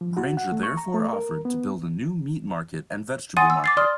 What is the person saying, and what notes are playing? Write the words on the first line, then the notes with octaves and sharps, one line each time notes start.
Grainger therefore offered to build a new meat market and vegetable market.
F3
F#4
F#5
A3
C#6
A#5
A3
A#4
B3
F#5 G#5 C6 D#6 A6 D#7
E6
D6 A6 C7
D5 C6 D#6 F6